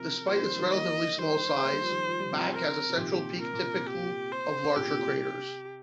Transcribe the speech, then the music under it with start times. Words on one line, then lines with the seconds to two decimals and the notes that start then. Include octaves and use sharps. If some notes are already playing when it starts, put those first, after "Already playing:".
Despite its relatively small size, Back has a central peak typical of larger craters.
Already playing: C3 F3 A#4
0.28 F3 A#3 C5
0.43 D#3 G3
0.58 D#3 G3
0.72 F3 A#3 D#5
1.18 D#3 G3 C5
1.62 A#3
1.72 G3
1.81 F3
1.90 D#3 G3
2.07 F3
2.20 G3
2.32 C3 F3
2.52 A#4
2.90 C3
2.97 A#2 D#3 G4
3.42 C3 A#4
3.53 A#2
3.64 C3
3.76 C3
3.87 G4
4.32 C5
4.76 A#2 G4
4.87 C3
4.99 C3
5.10 C3
5.21 G4